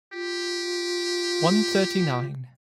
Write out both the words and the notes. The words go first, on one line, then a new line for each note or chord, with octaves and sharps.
One thirty-nine.
F4 G4